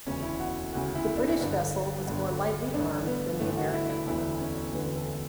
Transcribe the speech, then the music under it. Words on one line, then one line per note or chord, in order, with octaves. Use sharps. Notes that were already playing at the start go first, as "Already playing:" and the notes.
The British vessel was more lightly armed than the American.
E1 D2 C#3 C#4
E4
F#4
E1 D2 C#3 F#4
E4
D4
G1 G2 D3
G1 G2 D3
A1 G2 D3 D4
B3
A1 G2 D3 A3
F#4
E4
E4
E1 D2 D3 E4
C#4
E1 D2 D3 B3
A4